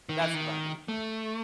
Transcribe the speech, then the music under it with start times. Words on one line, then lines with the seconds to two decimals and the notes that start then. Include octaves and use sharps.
That's what I mean.
0.09 D#3
0.22 E3
0.34 D#3
0.88 A3